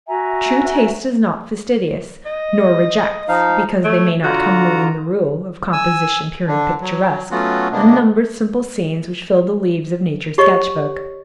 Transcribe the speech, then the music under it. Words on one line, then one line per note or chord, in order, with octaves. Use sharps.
True taste is not fastidious, nor rejects, Because they may not come within the rule Of composition pure and picturesque, Unnumbered simple scenes which fill the leaves Of Nature's sketch book.
F#4 E5 G#5 A#5
D#5
F3 D#4 F5
A3 C#5
D3 F4 F#4 A#5
G#5 E6
D3 D4
F#3
F#3 A3 B3 C#4 F4 F#4
C3 G#3 A#3 B3 D4
G4 C#5 D#5 C#6